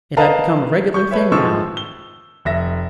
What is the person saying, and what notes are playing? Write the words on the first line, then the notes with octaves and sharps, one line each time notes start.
It had become a regular thing now.
A#4 B4 D#5 F5 A5 A#5
C#6 G6
A4 B4 C#5 E5
D#3 F3 G#3 C#6 E6
G7
F1 E5 A#6